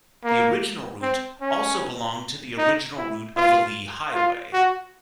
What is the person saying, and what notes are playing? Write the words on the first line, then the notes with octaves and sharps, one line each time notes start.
The original route also belonged to the original route of the Lee Highway.
A#3
C4
C#4
D#4
E4
F4
F4
F#4